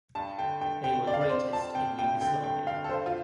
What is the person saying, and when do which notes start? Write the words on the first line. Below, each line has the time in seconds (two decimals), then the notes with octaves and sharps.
They were greatest in Yugoslavia.
0.15 G2 A5
0.38 D3 G5
0.61 G2 G5
0.84 D3 G5
1.07 F2 D5
1.14 F5
1.21 D5
1.29 C3 C5
1.53 F2 A5
1.75 C3 G5
1.98 G2 G5
2.21 D3 G5
2.44 G2 G5
2.67 D3 F5
2.84 A4
2.89 G2 C5
3.06 F4